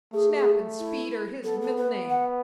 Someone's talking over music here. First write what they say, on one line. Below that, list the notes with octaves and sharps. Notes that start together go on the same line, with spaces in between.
Snap and speed are his middle name!
A3 G#4
G#4
E4
B3 A4
A4
B4
F#5